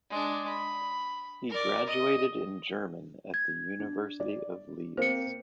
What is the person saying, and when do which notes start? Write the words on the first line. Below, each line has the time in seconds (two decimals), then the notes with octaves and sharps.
He graduated in German at the University of Leeds.
0.10 G#3 D4
0.48 B5
1.49 A#4 D5
1.87 D#5
3.34 G#6
3.80 D4
4.20 D5
4.97 A#3 C4 C5 C#7